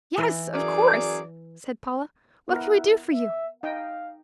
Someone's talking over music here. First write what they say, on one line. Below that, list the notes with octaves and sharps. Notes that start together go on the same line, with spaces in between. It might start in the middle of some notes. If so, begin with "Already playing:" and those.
"Yes, of course," said Paula; "What can we do for you?"
E3
F#2 G#4 D5
B3 E4 A#4
E5
D#4 D#5 F5 G5